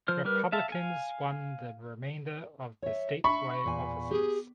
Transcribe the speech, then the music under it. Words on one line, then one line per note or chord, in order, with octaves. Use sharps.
Republicans won the remainder of the statewide offices.
F3 C5 F6
G3 G4 A#4 B4 F6
E5 F5 A5
F5 G#5
C#5 E5
D4 E5 B5 C#6
E2 A#2 G#5
G4 G#4